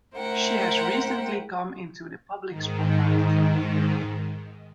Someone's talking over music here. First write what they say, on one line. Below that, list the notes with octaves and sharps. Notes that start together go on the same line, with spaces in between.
She has recently come into the public spotlight.
A3 E4 A#4 C5 F#5 G5
G#2 D#3